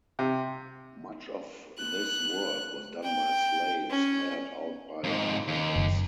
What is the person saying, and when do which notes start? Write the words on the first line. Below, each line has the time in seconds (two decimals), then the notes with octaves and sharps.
Much of this work was done by slaves hired out by planters.
0.19 C3
1.78 F#6
3.03 G5
3.90 C#4
5.04 F2 G#2
5.48 D#2
5.76 F#1